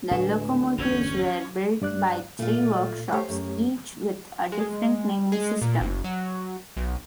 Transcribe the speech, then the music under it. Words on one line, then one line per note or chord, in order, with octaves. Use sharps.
The locomotives were built by three workshops, each with a different naming system.
D2 A2 G#3 B4 G#5 E7
G1 E2 C#4 G6 G#6 F7
G2 D5 F#6
A#2 A3 F4
A3 G4 C5 C#5
F#2
G#3
G#3
A#2
F#1
F#3
B1